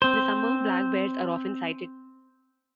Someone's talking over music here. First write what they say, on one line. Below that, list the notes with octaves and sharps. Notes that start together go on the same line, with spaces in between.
In the summer black bears are often sighted.
C4 C5